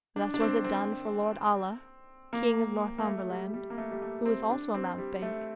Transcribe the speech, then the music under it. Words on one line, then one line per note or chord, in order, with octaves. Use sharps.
Thus was it done for Lord Alla, King of Northumberland, who was also a mountebank.
D4
D4
C4
C4
A#3
A#3
A3
G3
G3
A#3
A3
G3
A3
C4
D4
C4
G3
A3